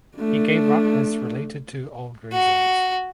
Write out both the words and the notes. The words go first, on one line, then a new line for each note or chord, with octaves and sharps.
He gave up his related to old reasons.
A3 D4
F#4